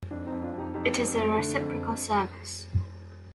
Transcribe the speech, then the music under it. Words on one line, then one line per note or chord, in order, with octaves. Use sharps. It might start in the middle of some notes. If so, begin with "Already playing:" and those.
It is a reciprocal service.
F2 D4
C4 D#4
F2
D4 F4
F2
D#4 G4
F2 D#4 G4
F2
A3
D3
F2